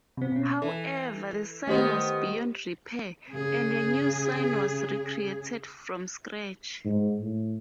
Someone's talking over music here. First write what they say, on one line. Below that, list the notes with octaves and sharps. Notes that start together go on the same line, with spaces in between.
However, the sign was beyond repair and a new sign was recreated from scratch.
C3 C4
B2 C#4
E3 A4
D#3 A3 B3 G4 C5
C#3 G#4
G#2
A2